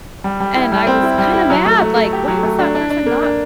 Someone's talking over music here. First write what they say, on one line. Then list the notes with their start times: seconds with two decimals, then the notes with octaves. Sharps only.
And I was kinda mad, like, "Why was that person not
0.24 G3
0.40 G3
0.56 E4
0.72 G3
0.87 C4
1.03 E4
1.18 G3
1.34 E4
1.50 F#3
1.66 A3
1.81 A3
1.96 A3
2.13 G4
2.28 F#3
2.43 A3
2.59 D4
2.75 D4
2.90 D4
3.06 A#3
3.22 D4